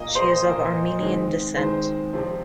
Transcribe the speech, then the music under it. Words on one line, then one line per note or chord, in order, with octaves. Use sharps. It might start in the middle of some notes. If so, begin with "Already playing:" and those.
She is of Armenian descent.
Already playing: A#2 A#3 D#5 D#6
C5 C6
A#2 A#3
D#3 G#3 C4
D#3 G#3 C4 C5
C3 F3 C4